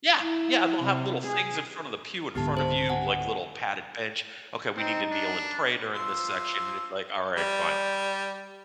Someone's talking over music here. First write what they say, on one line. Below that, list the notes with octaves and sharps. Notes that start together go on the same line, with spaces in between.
Yeah, yeah, and they'll have little things in front of the pew in front of you, like little padded bench, okay, we need to kneel and pray during this section, and it's like, "Alright, fine."
E4
C3
G#4
C#2 G#2 D3 B3 G4 A5
C5 A5
F#5 G#5
C4 D#4
D4
F3 C6 E6
G3